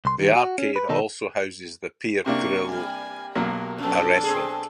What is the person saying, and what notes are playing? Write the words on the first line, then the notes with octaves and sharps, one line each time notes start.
The arcade also houses the Pier Grille, a restaurant.
C2 C6
D#3 G3
F#4
C#4
B4
B2 D#3 D#4 A4
C3 A#3 D4 C#6
G3 G#5
B1 F#3 A#3 A#4
F2 B2 D4 A4
C4 G#4